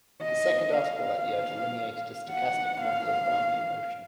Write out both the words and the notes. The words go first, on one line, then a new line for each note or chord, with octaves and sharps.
His second article that year delineated a stochastic model of Brownian motion.
D#5
F5
F#5
F5